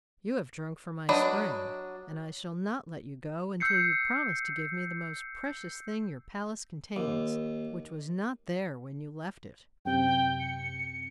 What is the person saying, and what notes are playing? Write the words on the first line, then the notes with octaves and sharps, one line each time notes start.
'You have drunk from my spring, and I shall not let you go until you promise to give me the most precious thing your palace contains, which was not there when you left it.'
F#3 D4 B4 D#5
E6 G6 C7 C#7
D#2
F#2 C3 G5
C#7